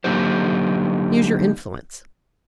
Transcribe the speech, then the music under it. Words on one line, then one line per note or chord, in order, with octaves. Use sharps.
Use your influence.
D3 F#3 A#3 D#4 G4 C5